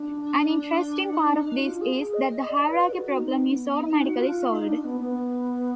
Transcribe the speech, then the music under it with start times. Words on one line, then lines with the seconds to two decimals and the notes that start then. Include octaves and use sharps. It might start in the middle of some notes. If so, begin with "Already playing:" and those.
An interesting part of this is that the hierarchy problem is automatically solved.
Already playing: D4
1.14 D#4
1.29 D4
1.47 D#4
1.58 F#4
1.63 F4
1.81 G#4
2.14 D#5
2.49 D5
2.70 B4
2.93 F#4
3.15 D#4
3.49 B3
3.83 D#4
4.06 F#4
4.17 F4
4.51 D#4
4.68 D4
4.84 B3
5.01 B3